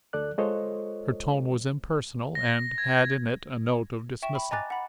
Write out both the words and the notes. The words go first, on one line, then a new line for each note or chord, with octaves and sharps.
Her tone was impersonal and had in it a note of dismissal.
D2 A4 D5 F#6
G#3 F4 A4 C5 C#5 D#5
A#6
G#6
E5 G5 C#6 E7
B5
D#5 G#5 A#5 D6 F#6 A6
F#5 B5